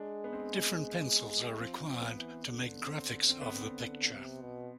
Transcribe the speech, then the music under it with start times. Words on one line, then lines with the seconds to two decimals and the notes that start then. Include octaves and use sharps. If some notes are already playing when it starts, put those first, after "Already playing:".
Different pencils are required to make graphics of the picture.
Already playing: G#3 D4
0.24 B3
0.33 C4
1.59 F3 C4
1.87 F3
2.01 B3
2.16 E3
2.44 D3
2.86 C4
3.29 C4
3.41 B3
3.54 C4
4.13 C3
4.41 B2